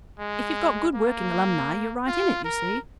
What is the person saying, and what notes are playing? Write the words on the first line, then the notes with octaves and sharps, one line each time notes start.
If you've got good working alumni, you're right in it, you see.
G#3
A#3
F4
A#4